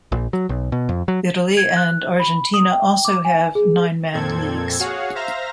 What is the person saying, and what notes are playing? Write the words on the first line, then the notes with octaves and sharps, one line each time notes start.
Italy and Argentina also have nine-man leagues.
A#1
F#3
B1
B2
F2
F#3
G#6
F#6
B5
D#6
G5
D6
G#5
G#4
F2 A#2 C4 A4 G#6
F#4 G#4 C#5 F5 F#5
C5 E5 F5 A#5 A#6